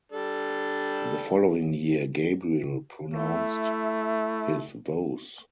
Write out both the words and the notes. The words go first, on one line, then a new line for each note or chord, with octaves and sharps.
The following year Gabriel pronounced his vows.
G3 D4 A4
A3 E4